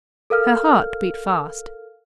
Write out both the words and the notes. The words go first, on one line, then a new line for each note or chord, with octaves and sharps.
Her heart beat fast.
A4 A#4 F5 F6